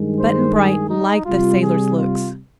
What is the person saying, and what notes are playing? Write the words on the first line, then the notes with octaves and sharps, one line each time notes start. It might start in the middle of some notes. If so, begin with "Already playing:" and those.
Button-Bright liked the sailor's looks.
Already playing: G2 D#3 G#3
C5
G#4
D#4
C3 G3 F4
G#4
F4